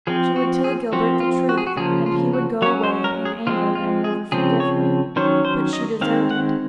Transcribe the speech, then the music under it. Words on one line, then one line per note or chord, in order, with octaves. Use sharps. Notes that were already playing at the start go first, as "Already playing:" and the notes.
She would tell Gilbert the truth, and he would go away in anger and never forgive her, but she deserved it.
F3 C4 G#4
F#4
G#4
F3 C4 F#4
F4
F#4
G#4
F#4
C#3 F3 A#3 G#4
F4
F#4
F#3 C#4 C#5
C5
A#4
G#4
F3 G#3 C4 F4
F4
G#4
C#3 F3 C4 G#4
C#5
D#3 F#3 C#4 C5
C5
D#5
D#3 G#3 C4 F5
F#5